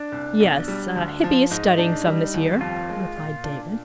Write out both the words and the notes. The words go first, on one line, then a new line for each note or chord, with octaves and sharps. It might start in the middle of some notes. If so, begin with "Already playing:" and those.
"Yes, Hippy is studying some this year," replied David.
Already playing: D4
C2
B1
G3
D2
F3
G#2 D#4
D4
G3
D#2
F2 F4
G#3
A#2
D4